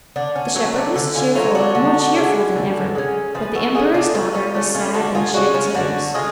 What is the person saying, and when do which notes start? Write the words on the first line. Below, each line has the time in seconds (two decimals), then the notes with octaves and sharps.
The shepherd was cheerful, more cheerful than ever, but the emperor's daughter was sad and shed tears.
0.16 D3 D4
0.36 C#4
0.55 F#3 A3 C#4
0.76 D4
0.96 D3
1.15 C#4 F4
1.35 F#3 A3 C#4 F4
1.55 D4 F#4
1.75 D3
2.16 G#3 C#4
2.56 D3
2.95 G#3 C#4
3.35 F3 G#4 B4
3.55 F#4 A4
3.75 A3 C#4 F4 G#4
3.94 D4 F#4
4.14 F3 C#4 F4
4.35 C#4 F4
4.54 A3 C#4 D4
4.75 C#4 F4
4.94 D3 D4 F#4
5.15 F4 G#4
5.34 G#3 C#4 D4 F#4
5.54 C#4 F4
5.74 D3 D4 F#4
6.14 G#3 C#4 F4 G#4